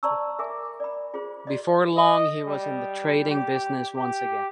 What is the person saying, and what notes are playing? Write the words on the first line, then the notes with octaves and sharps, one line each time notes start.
Before long he was in the trading business once again.
C5 D5 A5 A#5 C#6 E6
A#4 E5 G#5 D6
D5 B5
F4 G#4 C5
F#4 D5 D#5
D#5
G3
G4
G4